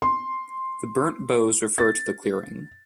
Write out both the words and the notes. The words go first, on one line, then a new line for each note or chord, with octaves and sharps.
The burnt boughs refer to the clearing.
C6
A6